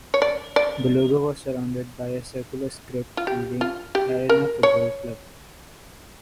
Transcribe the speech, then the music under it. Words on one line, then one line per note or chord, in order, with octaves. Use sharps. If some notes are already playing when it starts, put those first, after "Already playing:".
The logo was surrounded by a circular script reading, "Arena Football Club".
C#5
D5
D5
F4
G4
F4
G4
A#4
C#5